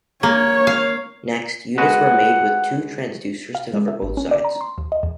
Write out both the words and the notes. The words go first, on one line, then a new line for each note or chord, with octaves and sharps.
Next, units were made with two transducers to cover both sides.
A#3 C#5
F5
G#3 F#4 B4 F#5
F5
G#3
E5
G#1
C#4
D5
A#5
C6
D#2
D#5
E2